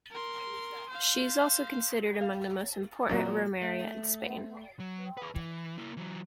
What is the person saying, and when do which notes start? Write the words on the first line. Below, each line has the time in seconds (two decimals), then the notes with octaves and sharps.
She is also considered among the most important romeria in Spain.
0.11 A#4 C6
0.89 C5 F5
2.21 F5
3.09 A#2 F#3 F#4
3.62 A3
4.80 F#3
5.17 G#4 B4
5.35 E3
5.78 A#3 E4
5.97 E3 F#3